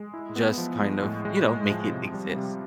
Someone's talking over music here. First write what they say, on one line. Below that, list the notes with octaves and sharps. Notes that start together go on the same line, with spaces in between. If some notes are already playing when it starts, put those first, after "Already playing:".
just kind of, you know, make it exist.
Already playing: G#3
E4
B3
F3
G#3
A2
G#3
A2
F3
C3
G3
C3